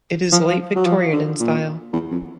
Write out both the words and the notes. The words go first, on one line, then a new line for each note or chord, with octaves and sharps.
It is Late Victorian in style.
F3
F3
F#3
F3
D3
A#2
E2
F2